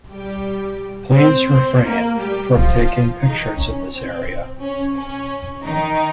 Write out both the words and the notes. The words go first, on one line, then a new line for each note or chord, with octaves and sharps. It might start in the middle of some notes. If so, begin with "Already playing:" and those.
Please refrain from taking pictures in this area.
G3 G4
C4 C5
C4 C5
A#3 A#4
G3 G4
F3 F4
D#3 D#4
C#4
C4
C#4
C#4
D#3 D#4